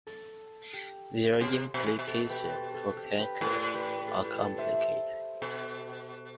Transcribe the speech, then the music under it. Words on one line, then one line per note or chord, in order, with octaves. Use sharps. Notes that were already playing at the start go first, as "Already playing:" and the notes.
Their implications for cancer are complicated.
A4
G4
C3
B2
A2
B2
A4
G4 B4
A4 C5
A4
G4
G4 B4
A2 A4 C5
D5
C5
G4 B4
B4
A4
G4
A4
C5 E5
B2 A4 C5